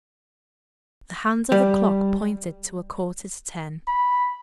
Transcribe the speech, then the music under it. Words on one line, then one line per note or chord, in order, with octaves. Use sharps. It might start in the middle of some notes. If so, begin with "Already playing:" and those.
The hands of the clock pointed to a quarter to ten.
G3
B5